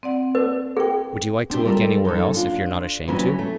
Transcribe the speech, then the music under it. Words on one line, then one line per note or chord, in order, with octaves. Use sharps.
"Would you like to look anywhere else if you're not ashamed to?"
C4 D5 F#5
B4
G#4 A#4 G5
C4 D4 E4 G4
G3 F4 A4 A#4 D5
F#2 C#4 D#4 A4
D4 F4
D2 C3 E3 F#3 B3 C#4
A3